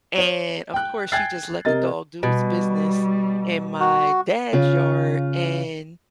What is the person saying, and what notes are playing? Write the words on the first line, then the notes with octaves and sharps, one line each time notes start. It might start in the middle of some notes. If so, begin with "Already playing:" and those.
and of course she just let the dog do its business in my dad's yard, and
C#5
G5 F#6
G5 G#5 F#6 G#6 A6 C7
C3 A#4 D#5 A6
B2 G3
F#4
C#3 F4